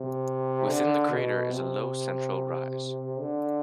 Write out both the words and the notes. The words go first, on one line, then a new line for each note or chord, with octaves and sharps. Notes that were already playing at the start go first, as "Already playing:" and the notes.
Within the crater is a low central rise.
Already playing: C3
D3
B2
C3
D3